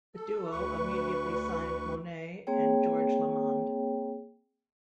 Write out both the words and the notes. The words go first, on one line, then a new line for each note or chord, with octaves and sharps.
The duo immediately signed Monet and George Lamond.
A4
D2 B4 C#6
A#3 C4 G#4 C#5 G5